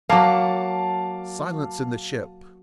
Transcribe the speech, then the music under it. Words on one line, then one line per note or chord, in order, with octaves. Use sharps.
"Silence in the ship!"
F#3 A#3 F5 A5 D6